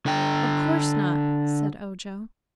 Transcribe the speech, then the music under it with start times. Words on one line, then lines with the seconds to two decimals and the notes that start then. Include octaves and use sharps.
"Of course not," said Ojo.
0.06 D3 G5